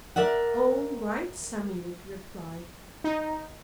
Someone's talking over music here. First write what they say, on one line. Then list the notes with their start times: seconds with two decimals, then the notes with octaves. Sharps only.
"All right," Sammy would reply.
0.16 A#4 D5 E5 F#5
3.04 D#4